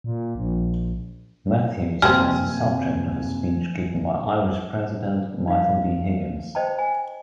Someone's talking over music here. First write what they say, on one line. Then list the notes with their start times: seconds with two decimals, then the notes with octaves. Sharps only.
Matthews, was the subject of a speech given by Irish President Michael D. Higgins.
0.04 A#2
0.35 A#1
2.02 F#2 C3 G3 A#3 C4 G#5 F6
5.48 D#4 F5
6.55 C5 D#5 G5 A5
6.79 G#5